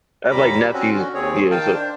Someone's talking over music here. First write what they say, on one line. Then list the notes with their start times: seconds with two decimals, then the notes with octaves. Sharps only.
I have, like, nephews. Yeah, so
0.31 D#2 A#2 G3 A#5 B5 D6
0.73 C4 C#4 F#4
0.93 D3 C#4 F#4
1.15 D#2 C4 G#4 C#5
1.51 D#3 F5 G5 A5
1.74 D4 C5